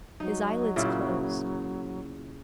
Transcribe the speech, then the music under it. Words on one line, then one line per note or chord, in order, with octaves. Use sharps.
His eyelids closed.
F#3 D#4
A#2 C#3 E4